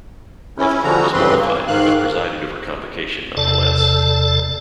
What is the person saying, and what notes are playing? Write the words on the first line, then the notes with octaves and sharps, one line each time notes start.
Rutherford was mortified, but presided over convocation nonetheless.
C#4 E4
D3 F3 G3 F#4 A#5
G2 C#3 E3 C4 B4 C6
A#3
G#2 D#3 F5 F#6
E2 C3 A4 D5 A5